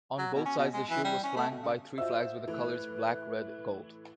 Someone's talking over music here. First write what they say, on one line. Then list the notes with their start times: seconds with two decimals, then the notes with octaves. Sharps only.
On both sides the shield was flanked by three flags with the colours black-red-gold.
0.18 F#3
0.34 B2
0.46 C#4
0.58 B2
0.73 G#3
0.90 E3
1.04 G3
1.23 C#4
1.37 A3
1.51 B2
1.62 C#3
1.98 F4 F#4 C5 D#5 E5
2.48 A2 E3 B4